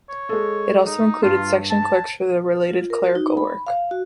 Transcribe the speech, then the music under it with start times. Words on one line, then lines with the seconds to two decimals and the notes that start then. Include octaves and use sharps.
It also included Section Clerks for the related clerical work.
0.09 C#5
0.29 G#3 A4
0.86 D#4
1.23 G2 F4
1.70 A5
2.69 F4
2.90 A#4
3.04 F#4
3.15 D#4
3.37 B5
3.67 F5
3.91 F#4